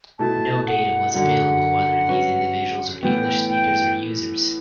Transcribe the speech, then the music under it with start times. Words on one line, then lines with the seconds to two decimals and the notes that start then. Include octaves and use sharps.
No data was available whether these individuals were English speakers or users.
0.19 B2 A3 E4 A5
0.67 F#5
1.14 F#2 D3 F#3 F#5
2.08 F#3 C#4 F#4 B4
3.03 A2 E3 B3 G5
3.50 G5